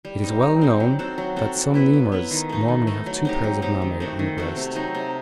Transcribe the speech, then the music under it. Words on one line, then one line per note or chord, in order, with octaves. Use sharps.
It is well known that some Lemurs normally have two pairs of mammae on the breast.
G3
C4 D#4
G3
C4 D#4
F#3
C4 F#4 A4
F#3
C4 F#4 A4
F#3
B3 E4 B4
F#3
B3 E4 B4
D#3
A3 D#4
D#3
A3 D#4
F#3
C4 D#4 G4
F#3
C4 D#4 G4
D#3
A3 C4 F#4
D#3
A3 C4 F#4
C3
F#3 C4 D#4
C3